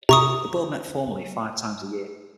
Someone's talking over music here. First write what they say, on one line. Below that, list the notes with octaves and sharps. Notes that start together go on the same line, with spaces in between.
The Board met formally five times a year.
C3 A#5 C#6 D#6